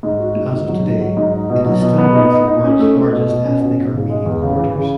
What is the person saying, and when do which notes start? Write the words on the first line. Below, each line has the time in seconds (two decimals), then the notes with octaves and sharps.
As of today, it is still one of the world's largest ethnic Armenian quarters.
0.03 G#2
0.19 F#4
0.36 G#2
0.52 G#2
0.68 F#3
0.85 G#2
1.01 F#3
1.17 G#2
1.33 D#4
1.50 B2
1.66 F#3
1.82 B2
1.98 B3
2.15 D#4
2.31 D#4
2.47 D#4
2.64 C#4
2.79 A3
2.96 A3
3.12 B2
3.29 B2
3.45 C#4
3.61 B2
3.78 B2
3.94 C#3
4.10 G#3
4.26 E2
4.42 C#3
4.59 E3
4.75 C#3